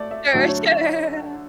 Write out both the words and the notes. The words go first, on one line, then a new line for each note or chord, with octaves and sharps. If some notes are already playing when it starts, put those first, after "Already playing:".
Sure, sure.
Already playing: A3 D5
E5
D3 F#3 A3
C#5